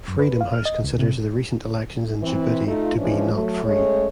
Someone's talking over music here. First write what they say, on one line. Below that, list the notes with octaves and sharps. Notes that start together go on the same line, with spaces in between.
Freedom House considers the recent elections in Djibouti to be "not free".
F#2
B4
F5
F6
D#5
C#2
C3
E3 C4
A3 D#4 F4
E3 F3 G#3 C#4 D4
F#3 A3
G#3 A3 C#4 C#5